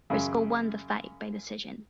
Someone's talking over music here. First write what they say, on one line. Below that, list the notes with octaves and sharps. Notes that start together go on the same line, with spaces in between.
Risco won the fight by decision.
F#2 C#3